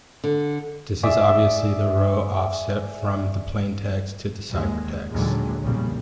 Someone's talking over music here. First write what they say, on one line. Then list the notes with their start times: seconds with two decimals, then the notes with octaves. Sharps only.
This is obviously the row offset from the plaintext to the ciphertext.
0.24 D3
1.03 G#4 D5 E5
4.50 D#2 G#3
5.09 D#2 A#2 D3 F#3 G#3
5.61 B1 F2 A#2 C#3 G3